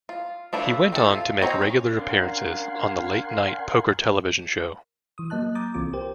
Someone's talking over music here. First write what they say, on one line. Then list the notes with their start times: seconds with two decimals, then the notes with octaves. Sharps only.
He went on to make regular appearances on the Late Night Poker television show.
0.09 F4
0.53 A3 D4 E4 F4 B4
0.92 C4 E4 A4
1.14 F4
1.42 G#3 C4 C#5 A#5
1.62 C#4
1.97 C#4 D4 A#4 F5 F#5 G#5 C6
5.18 E3 D#6
5.30 F#3 A#3 D#5 A5 F#6
5.55 A#5 D6 D#6 G6 A6
5.74 C2 E3 C4 F4 D6
5.93 G4 A#4 C5 G5